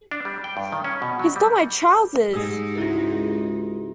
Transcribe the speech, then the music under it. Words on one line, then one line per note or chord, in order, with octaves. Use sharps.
He's got my trousers!
D4
G3
G5
G2
D#3
C#4
B2
F#3
G3
G#2 D#4 G4 G#4 D#6 E6
C#2 E4 F#4